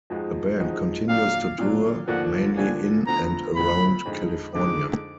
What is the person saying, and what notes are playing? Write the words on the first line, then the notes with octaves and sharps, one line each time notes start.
The band continues to tour, mainly in and around California.
F2 F3 G#3 D#4 F#4
F2 F3 G#3 D#4 F#4
A#2 F#3 D4 F5
A#2 F#3 D4
D#2 D3 F3 A#3 D4 F#5
D#2 D3 F3 A#3 D4 G#5
D2 D3 F3 B3 A#5
D2 D3 F3 B3 B5
F2 D3 G#3 D#4
F2 D3 G#3 D#4 D6